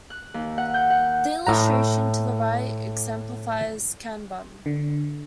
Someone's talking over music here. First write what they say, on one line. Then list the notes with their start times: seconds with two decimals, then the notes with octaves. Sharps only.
The illustration to the right exemplifies "kanbun".
0.10 F#6
0.34 D#2
0.58 F#5
0.74 G6
0.90 F#5
1.47 A2 A#5
4.66 D3